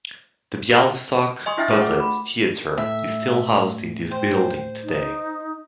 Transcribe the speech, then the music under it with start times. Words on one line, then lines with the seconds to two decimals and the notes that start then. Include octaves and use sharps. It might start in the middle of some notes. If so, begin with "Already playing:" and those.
The Bialystok Puppet Theatre is still housed in this building today.
1.46 D#5 G#5 C6 C#6 D#6
1.57 D4 E4 E5 G5 F6 A6
1.69 A3 F4 G#4 B4
1.82 F#5 D6
2.00 B5
2.78 A2 E5
4.11 C5 G5
4.84 D#4